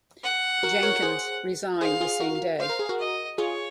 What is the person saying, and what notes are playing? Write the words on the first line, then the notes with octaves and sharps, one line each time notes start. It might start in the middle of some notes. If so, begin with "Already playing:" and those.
Jenkins resigned the same day.
F#5
F#4 A#4
A#4 C#5
G#4 C5
G#4 C5 F5
F4 G#4
F#4 A#4
C5 F5
A#4
G#4
F#4 A#4
D#5
F4 G#4 C#5